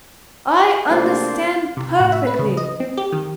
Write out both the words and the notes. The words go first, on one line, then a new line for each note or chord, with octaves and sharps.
I understand perfectly.
E2 C3 F3 A3 A#3 C4 D4 C5
C3
A2
E5
B4
C#3
D#5
C4
G4
D#3